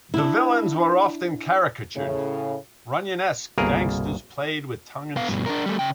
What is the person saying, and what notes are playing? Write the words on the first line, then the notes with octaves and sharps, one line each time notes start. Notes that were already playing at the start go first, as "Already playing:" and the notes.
The villains were often caricatured, Runyonesque gangsters played with tongue in cheek.
D4 E4
A2 C#3
G1 C2 B2 A#3 G#4 A#4
B3 F5
G2 B2
D4 A#4
G3 A3
C#3 G5